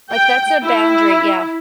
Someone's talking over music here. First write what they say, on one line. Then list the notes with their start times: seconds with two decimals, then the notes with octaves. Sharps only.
Like, that's a boundary, yeah.
0.11 G5
0.65 E4